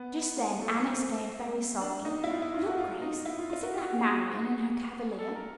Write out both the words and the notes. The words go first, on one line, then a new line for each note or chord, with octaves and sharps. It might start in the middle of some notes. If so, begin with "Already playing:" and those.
Just then Anne exclaimed very softly, "Look, Grace, isn't that Marian and her cavalier?"
Already playing: B3
A#3
A3
C4
D4
D#4
E4
F4
E4
F4
F#4
F4
D#4
E4
F4
F4
F#4
G4
F#4
G4
G#4
A4
A#4